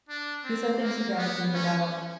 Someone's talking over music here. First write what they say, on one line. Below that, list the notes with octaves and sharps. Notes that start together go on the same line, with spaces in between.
these are things you gotta think about.
D4
C4
A#3
B3
C#4